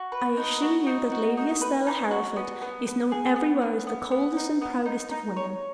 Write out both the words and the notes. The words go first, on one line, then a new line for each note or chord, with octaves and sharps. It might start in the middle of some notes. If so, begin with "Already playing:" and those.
I assure you that Lady Estelle Hereford is known everywhere as the coldest and proudest of women.
Already playing: F#4
B4
D#4
F#4
D#4
F#4
D#4
B4
D#4
F#4
B3
B3
B3
G#4
B3
B3
B3
B3
D#4
B3
D#4
D#4
C#5